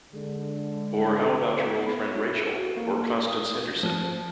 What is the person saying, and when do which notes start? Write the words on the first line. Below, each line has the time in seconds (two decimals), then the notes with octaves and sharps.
Or how about your old friend Rachael — or Constance Henderson?
0.13 D3 G#3
1.60 B3
1.86 B5
2.00 C#5
2.17 E4
2.55 F#4
2.77 A#3
3.28 D#6
3.83 F3